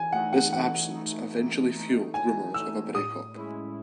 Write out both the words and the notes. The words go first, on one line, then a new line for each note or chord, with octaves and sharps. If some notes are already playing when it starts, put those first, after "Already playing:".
This absence eventually fueled rumors of a break-up.
Already playing: E3 G#5
A3 D#4 F#5
F#5
E3 F#5
A3 D#4
E3
A3 D#4
E3 G#5
A3 D#4 E6
A2 D#6
G#3 C#4 E4